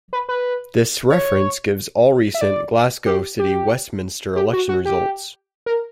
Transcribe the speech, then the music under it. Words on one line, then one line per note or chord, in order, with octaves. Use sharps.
This reference gives all recent Glasgow City Westminster election results.
B4
B4
C#5
E5
D5
G4
G4
G4
F#4
F#4
G4
A#4